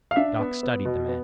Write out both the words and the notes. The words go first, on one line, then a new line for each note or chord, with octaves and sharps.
Doc studied the man.
F5
D4 E5
B3
B3
B2
B3